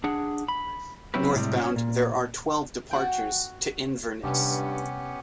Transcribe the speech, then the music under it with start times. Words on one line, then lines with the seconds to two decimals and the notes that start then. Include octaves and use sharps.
Northbound there are twelve departures to Inverness.
0.04 D4 G#4 F#5
0.48 B5
1.14 F#3 C4 C#4 E4 G4 B4
1.35 A2 C3 D#3 G3 G#3
1.58 C#4
1.76 A#2
2.91 F#4 F#5 G5
4.23 G2 C3 B3 C#4 G4